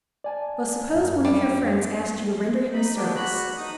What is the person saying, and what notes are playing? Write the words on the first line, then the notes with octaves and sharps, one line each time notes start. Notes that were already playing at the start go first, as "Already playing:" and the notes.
"Well! suppose one of your friends asked you to render him a service?"
D5 G#5 A5
F#2
G3
D#4 B5
F#3 G#3 A#3 B3 D4 G4
F#4 B5 F#6
D#4 D#6